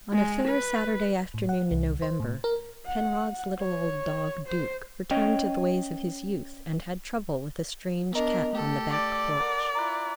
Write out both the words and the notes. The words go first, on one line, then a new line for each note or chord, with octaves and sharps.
On a fair Saturday afternoon in November Penrod's little old dog Duke returned to the ways of his youth and had trouble with a strange cat on the back porch.
G#3
B4
A2
F#5
C2
C5
A2
A#4
F#5
C#5
C5
C#4 C#5 D#5 G5
B3 D4 A#4 D#5
A3 G4 A4
D5
A#4 F#5
E4 F4 A#5 F#6